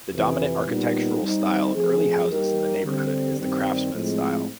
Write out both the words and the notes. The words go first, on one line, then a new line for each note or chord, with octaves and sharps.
The dominant architectural style of early houses in the neighborhood is the Craftsman style.
F2 C3 E3
A#2 G3 B3 D#4
G3 C4 D#4
F3 A3 C4 F4 G#4
G3 A#3 D#4 G4 A#4
D3 G3 C4
G2 D#3 G3 C4
A2 F3 G#3 C4